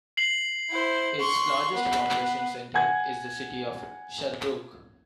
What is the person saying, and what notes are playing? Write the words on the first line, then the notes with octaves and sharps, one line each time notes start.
Its largest population centre is the city of Sherbrooke.
C7 F#7
E4 C5
C6 C#6
B3
F#5 G#5 G#6